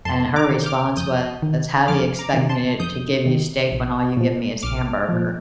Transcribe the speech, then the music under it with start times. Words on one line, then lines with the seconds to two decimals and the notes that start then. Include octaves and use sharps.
and her response was, "How do you expect me to to give you steak when all you give me is hamburger?"
0.05 F2 A5 C6
0.36 A#5 D6
0.51 D#3
0.61 G6
0.66 D6 F6
0.97 F2 D#6 G6
1.42 D#3
1.88 F2 D6 F6
2.19 A#5 D6
2.34 C3 D#3
2.49 A5 C6
2.80 F2 D#6 G6
3.26 C3 D#3
3.71 A#1
4.17 A#2 F3
4.63 A#1 D6 F6
5.09 A#2 F3